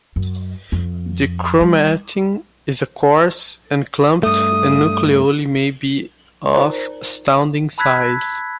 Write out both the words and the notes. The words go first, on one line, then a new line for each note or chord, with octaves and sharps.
The chromatin is coarse and clumped, and nucleoli may be of astounding size.
F#2
F2
G3
G2 A3 D#6
D#4 F4 A#4 C5 D5 A#5
A5 B5 E6 F#6 G#6 B6